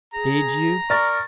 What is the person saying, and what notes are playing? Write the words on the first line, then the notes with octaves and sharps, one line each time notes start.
Feed you?
G#4 A#5
A#4 D5 C#6 A6